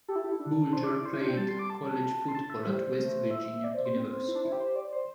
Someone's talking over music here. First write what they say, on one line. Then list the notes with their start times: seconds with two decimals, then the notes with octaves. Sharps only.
Bulger played college football at West Virginia University.
0.08 G4 A4
0.16 E4
0.24 G4
0.32 E4
0.40 D4
0.72 D4 C5
0.84 D5
0.89 E4
0.94 D5
1.05 C5
1.13 E4
1.21 D4
1.27 C4 G5
1.37 G3 A5
1.48 C6
1.59 D6
1.70 A5
2.28 C6
2.35 A5
2.50 E5
2.66 G3 C5
2.99 A3
3.31 E5
3.64 D5
3.74 C5
3.85 C5
3.96 C4
4.11 C4
4.28 E4
4.35 D4
4.44 E4
4.52 G4
4.60 C5
4.76 D5
4.93 C5